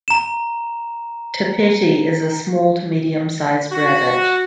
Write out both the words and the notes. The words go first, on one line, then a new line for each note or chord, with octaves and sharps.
Tapeti is a small- to medium-sized rabbit.
A#5 E7
F#4